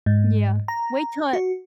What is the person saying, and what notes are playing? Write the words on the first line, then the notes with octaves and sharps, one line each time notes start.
Yeah, wait till it
G#2
A#5
F#4